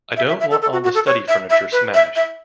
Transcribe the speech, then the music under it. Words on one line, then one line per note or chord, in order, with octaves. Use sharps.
I don't want all the study furniture smashed.
E5
E5
E5
A4
A4
F#4
F#4
A4
C#5
E5
E5
B4
E5
E5